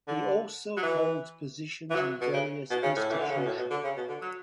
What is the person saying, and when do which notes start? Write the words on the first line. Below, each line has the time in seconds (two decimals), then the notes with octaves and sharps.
He also holds positions in various Institutions.
0.08 D3
0.77 F#3
0.83 E3
1.90 E3
1.95 F#3
2.21 B2
2.33 C#3
2.70 B2
2.83 C#3
2.96 A2
3.11 E3
3.20 D3
3.29 C#3
3.38 B2
3.46 A2
3.58 B2
3.70 D3
3.84 C#3
3.97 B2
4.09 D3
4.22 F#3